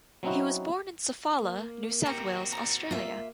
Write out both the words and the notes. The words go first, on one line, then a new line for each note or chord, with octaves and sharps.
He was born in Sofala, New South Wales, Australia.
F#3 C4 C#4 D#4 E4 F#4
A#3
C4 D#4 F#4 G4 A#5
D5 A#5
A#3 F4 E5